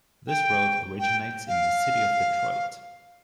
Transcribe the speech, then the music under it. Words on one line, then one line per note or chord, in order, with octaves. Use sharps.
This road originates in the City of Detroit.
G5
G5
F5